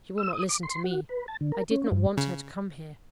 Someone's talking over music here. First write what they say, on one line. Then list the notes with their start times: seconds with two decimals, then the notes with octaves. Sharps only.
She will not listen to me: I did not want her to come here.
0.18 E6
0.33 D#6
0.49 D6
0.63 C6
0.84 F#4
1.09 B4
1.28 A5
1.41 D3
1.52 A#4
1.71 C#4
1.92 G2
2.17 C#3